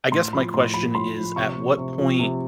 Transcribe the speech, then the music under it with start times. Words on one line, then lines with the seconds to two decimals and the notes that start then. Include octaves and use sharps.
I guess my question is, at what point
0.12 A2 C6
0.33 F3 B5
0.54 A2 C6
0.74 F3 B5
0.95 A2 C6
1.16 F3
1.36 C3 C#6
1.57 F3
1.78 C3
1.99 F3
2.19 C3